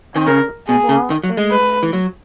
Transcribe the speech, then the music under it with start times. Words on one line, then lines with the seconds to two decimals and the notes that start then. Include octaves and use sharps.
Um, well, in
0.16 D#3
0.26 C#3 A#4
0.68 B2 G#4
0.89 C#3
1.10 D#3
1.24 F#3
1.37 G#3
1.51 B4
1.83 E3
1.93 F#3